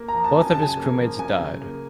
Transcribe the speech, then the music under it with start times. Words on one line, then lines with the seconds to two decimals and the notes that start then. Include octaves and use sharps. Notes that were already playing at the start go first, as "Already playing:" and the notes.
Both of his crewmates died.
Already playing: A#3
0.08 A#5
0.14 F3
0.24 A5
0.35 F#2 G#5
0.51 C#3 A5
0.62 G#5
0.77 A#3
0.98 F3
1.19 F#2 G#5
1.40 C#3
1.61 A#3